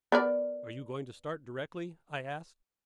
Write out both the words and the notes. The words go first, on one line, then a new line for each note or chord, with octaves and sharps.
"Are you going to start directly?" I asked.
B3 A#4 D5